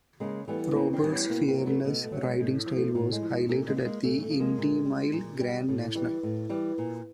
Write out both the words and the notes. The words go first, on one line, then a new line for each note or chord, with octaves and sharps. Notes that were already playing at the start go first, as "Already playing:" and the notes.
Roberts' fearless riding style was highlighted at the Indy Mile Grand National.
C#3 G#3 A#3
E3 G3 A3 B3
C#3 A#3 C4
C4 D4
E3 G3
B3 C#4
B2 A#3 C4
A#3 C4
F#3
A3 B3
B2 A3
A3
F#3
G#3
A2 G#3
F3
A3
A2 A3
G#3
F3
G#3
A#2 A3
G#3 A#3
F3
G#3 A#3
A#2 A3
A3
F3
G#3 A#3
A#2
G3
A#2
G3
A2
E3 G3
A2
E3 G3
A#2